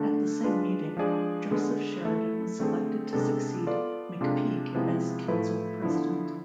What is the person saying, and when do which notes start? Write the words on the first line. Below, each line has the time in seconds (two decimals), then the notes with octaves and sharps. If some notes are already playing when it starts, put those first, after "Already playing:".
At the same meeting, Joseph Sheridan was selected to succeed McPeek as Council President.
Already playing: D3 A3 D4
0.44 G#3 D4 F4 B4
0.97 F3 G#3 D4 G#4 D5
1.51 D3 G#3 B3
2.05 A3 E4 A4 E5
2.59 D3 A3 C4 G#4
3.13 C3 G#3 B3 D4 A4
3.67 B3 F4 A4 D5
4.21 C3 G#3 D4 F4 A4
4.74 C3 F3 G#3 B3 E4
5.28 A2 F3 A3 E4 B4
5.82 D3 F3 B3 E4